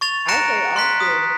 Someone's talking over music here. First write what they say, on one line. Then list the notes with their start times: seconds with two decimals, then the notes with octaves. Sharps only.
I say often
0.01 C#6 A6 F7
0.28 A#5 F#6 A#6 C#7 D7 E7
0.76 C6 F#6 B6
1.00 D#6 B6